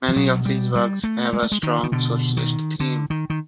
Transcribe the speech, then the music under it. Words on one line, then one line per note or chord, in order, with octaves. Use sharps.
Many of his works have a strong socialist theme.
F3
B2 F#3
G3
G3
A3
G#3
A3
G#3
D#3
D#3
B2 D3
D#3
D3
D#3
D#3